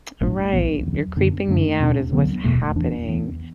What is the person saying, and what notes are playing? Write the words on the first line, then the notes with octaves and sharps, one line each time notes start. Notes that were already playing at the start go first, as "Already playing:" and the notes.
Right. You're creeping me out is what's happening,
A1 A2 A3 D4
B1 A2 E3 B3
E2 D3 F#3
F#2 D3 B3 D4
F#2 D3 A3 D4
E2 B2 B3 D4
D2 D3 F#3 B3
E1 E2 B2 A3
E2 E3 D4
E2 E3 B3